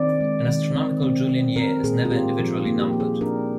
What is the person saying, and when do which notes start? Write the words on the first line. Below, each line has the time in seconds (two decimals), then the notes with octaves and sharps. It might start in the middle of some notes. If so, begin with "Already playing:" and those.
An astronomical Julian year is never individually numbered.
Already playing: D#3 C4 D5
0.21 G#3
0.48 D#3
0.75 C4
1.02 C4
1.29 C4
1.56 C4 A#4
1.83 A#2 G#4
2.05 F4
2.11 C4 G4
2.39 F3 F4
2.59 D#4
2.66 A#3
2.80 G4
2.93 A#3
3.00 G#4
3.21 D4 A#4